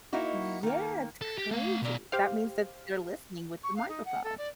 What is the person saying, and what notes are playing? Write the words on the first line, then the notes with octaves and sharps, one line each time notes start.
Yeah, it's crazy, that means that they're listening with the microphone.
A#3 D#4 E4 F#4
D#3 A#3
A4
G4
A3 F5
B2 D5
G4 C5 F5
C#6
F5
D#4
F#5
A4
D5